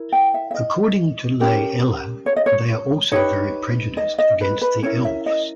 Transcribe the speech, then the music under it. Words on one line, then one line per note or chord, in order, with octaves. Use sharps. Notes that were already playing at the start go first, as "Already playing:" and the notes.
According to Lei'ella, they are also very prejudiced against the elves.
Already playing: E4 A#4
G5
E5
E5
D#5
C#4 G4 A#4
C#5
D#5
C#5
D#4 G4 B4 C#5
D#5
D#5
B4
B4
C#4 E4 A#4 C#5
E5
D#5